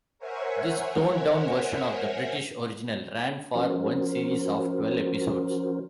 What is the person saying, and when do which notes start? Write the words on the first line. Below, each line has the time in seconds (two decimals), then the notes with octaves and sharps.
This toned-down version of the British original ran for one series of twelve episodes.
0.19 A#4 C5 C#5 E5 F#5 G#5
3.56 F3 C#4 F#4 A#4 C5